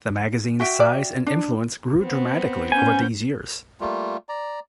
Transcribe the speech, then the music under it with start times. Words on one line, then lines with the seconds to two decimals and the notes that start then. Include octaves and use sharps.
The magazine's size and influence grew dramatically over these years.
0.60 F#4 E5 G5
0.80 D5
1.27 D4
2.00 B3 C4
2.72 C#4 G#5 G6
3.80 G3 A3 A#3 F4
4.29 D5 A#5